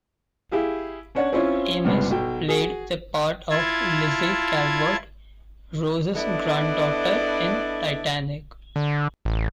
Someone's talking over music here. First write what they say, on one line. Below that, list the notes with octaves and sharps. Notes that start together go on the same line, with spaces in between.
Amis played the part of Lizzy Calvert, Rose's granddaughter, in "Titanic".
E4 G4 G#4 F5
C#4 D4 C#5 F#5
C4 C#4 E4 F4 C#5
C#2 G2 C3 B3
B1 F#3 G5
F#4 G#4
E4 F4 A5 G#6
B3 D4 E4 A4 D5 D#5
D3
A1